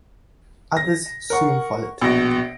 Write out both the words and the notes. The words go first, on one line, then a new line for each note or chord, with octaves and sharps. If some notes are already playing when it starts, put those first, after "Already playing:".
Others soon followed.
A#6
A#4 F#5 C#6
A#1 B2 A#6 D7